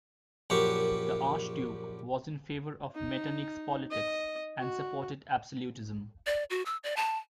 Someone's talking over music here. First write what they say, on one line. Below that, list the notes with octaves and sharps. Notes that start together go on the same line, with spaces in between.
The Archduke was in favour of Metternich's politics and supported absolutism.
A#1 F#2 F#4 G4 C#6
D#4
D#5
F#4
D5
F#4
E6
D5
A5